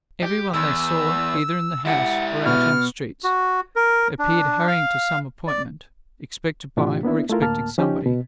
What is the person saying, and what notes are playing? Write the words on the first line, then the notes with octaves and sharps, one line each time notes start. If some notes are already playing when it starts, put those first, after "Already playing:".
Every one they saw, either in the house or out in the streets, appeared hurrying to some appointment, expected by, or expecting somebody.
G4
E2 E6
E4 G4 F#5
B2 B3 F6
F#4
A#4
D4
F5
D5
A2 C3 E3 D4 F4 G4
A#3 B3 D4 E4
A3 E4 F4 A#4
D2 A2 A#3 A5 F6
F3 C#4 D#4 G4
B2